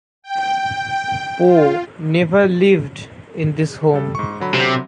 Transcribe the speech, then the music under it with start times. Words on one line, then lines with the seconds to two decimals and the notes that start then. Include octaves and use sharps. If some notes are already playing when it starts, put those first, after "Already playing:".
Poe never lived in this home.
0.22 G5
1.46 F4
3.93 G3 A4
4.15 G#2 C#6
4.40 D3 F#3 B5
4.54 C3